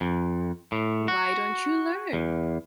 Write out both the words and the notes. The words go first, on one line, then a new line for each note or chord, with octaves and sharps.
Why don't you learn?
F2
A2
F#4
E2